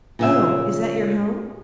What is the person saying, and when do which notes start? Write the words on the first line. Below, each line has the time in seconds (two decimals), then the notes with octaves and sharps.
"Oh; is that your home?"
0.19 A#2 C#3 E5